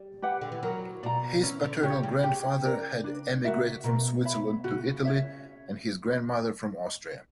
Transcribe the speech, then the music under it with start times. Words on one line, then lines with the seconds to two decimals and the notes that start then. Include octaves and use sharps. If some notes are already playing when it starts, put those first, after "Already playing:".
His paternal grandfather had emigrated from Switzerland to Italy and his grandmother from Austria.
Already playing: G3
0.22 G4 B4 F#5
0.41 D3
0.52 E3
0.63 F#3 A#4
1.03 B2 D5 A#5
1.43 E3 C#4
1.64 D3
1.83 C#3 G4 C#5
2.03 C#3
2.23 C#3 G4
2.64 A#4 D5
3.04 D4
3.44 F#4 A#4 E5
3.84 B2 A#4
4.24 C#5 E5 B5
4.64 C#3 F#4
5.05 C#5 E5